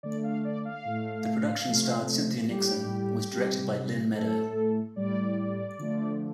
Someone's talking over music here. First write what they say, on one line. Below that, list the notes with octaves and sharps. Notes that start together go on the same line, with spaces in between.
The production starred Cynthia Nixon and was directed by Lynne Meadow.
D3 A3 D5
F5
D5
F5
A2 A3
C3 F3 A3
A2 G3 G4
C3 G3
A2 A3 A4
A2 G3 D5
D3 F3 A3